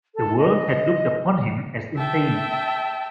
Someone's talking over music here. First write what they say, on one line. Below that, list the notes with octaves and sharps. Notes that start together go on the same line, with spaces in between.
The world had looked upon him as infamous.
A4
D#5
E5 G5 A5